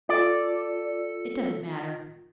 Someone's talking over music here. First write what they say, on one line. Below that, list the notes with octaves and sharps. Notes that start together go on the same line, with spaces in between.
It doesn't matter.
F4 A4 D5